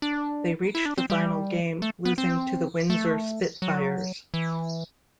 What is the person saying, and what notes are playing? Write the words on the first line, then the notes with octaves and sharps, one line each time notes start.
They reached the final game, losing to the Windsor Spitfires.
D4
E4
D4
C4
G3
A3
B3
C4
A3
F#3
E3